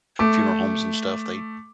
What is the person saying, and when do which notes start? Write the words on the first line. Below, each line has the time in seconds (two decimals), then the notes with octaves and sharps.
funeral homes and stuff, they
0.19 A3 D6